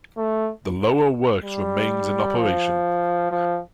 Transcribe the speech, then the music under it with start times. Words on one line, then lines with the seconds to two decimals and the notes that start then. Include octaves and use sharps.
The Lower works remains in operation.
0.17 A3
1.44 G3
2.38 F3
3.32 F3